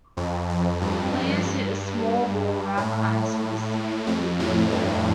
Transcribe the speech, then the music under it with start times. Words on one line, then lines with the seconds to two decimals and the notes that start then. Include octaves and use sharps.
Players hit a small ball around the ice with a stick called a broom.
0.17 F2
0.49 F2
0.82 G2
2.77 A2
4.07 F2
4.40 A2
4.72 G2